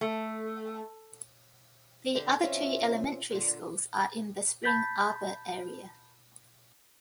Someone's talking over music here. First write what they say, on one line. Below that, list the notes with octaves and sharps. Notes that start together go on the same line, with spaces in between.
The other two elementary schools are in the Spring Arbor area.
A3
D#2 D3 G4
E2 C4 C#4 F4 E5
A#2 D3
A5 B5 G6 A6 B6